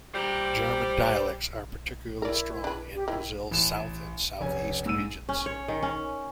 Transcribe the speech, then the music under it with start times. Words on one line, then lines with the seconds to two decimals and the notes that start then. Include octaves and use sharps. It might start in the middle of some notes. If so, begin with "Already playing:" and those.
German dialects are particularly strong in Brazil's South and Southeast Regions.
0.15 G3 C5 A#5
2.22 E4 A#4 D5
2.64 D4 B4
2.95 G4
3.08 D#3 F3 E4
3.51 A1 E7
4.40 F1 C#4 G#5
4.86 G#2 E6 D#7
5.29 C#4
5.46 C#5
5.68 D#3
5.83 C#4